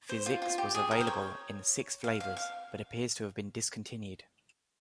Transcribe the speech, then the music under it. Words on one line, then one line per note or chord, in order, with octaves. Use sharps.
Fizzix was available in six flavors, but appears to have been discontinued.
C5
F4
F4
G4
G#4
A#4
C5
C#5
F5
F5
F5